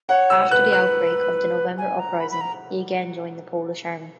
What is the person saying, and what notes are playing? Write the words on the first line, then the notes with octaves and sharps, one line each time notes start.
After the outbreak of the November Uprising he again joined the Polish Army.
C#5 F#5
E6
B4 F#6
F#6
G#5
A#5
B5
B5
A#5